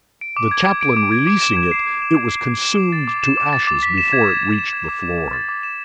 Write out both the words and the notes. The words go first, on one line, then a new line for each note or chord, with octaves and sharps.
The chaplain releasing it, it was consumed to ashes before it reached the floor.
D7
D6
G#6
D6
D7
D6
G#6
D6
E7
G#6
C7
G#6
E7
G#6
C7
G#6
E7
D6
A6
D6
E7
D6
A6
D6
B6
E7
G#6
D6
B6
E7
G#6
D6
E7
D6
A6
D6
E7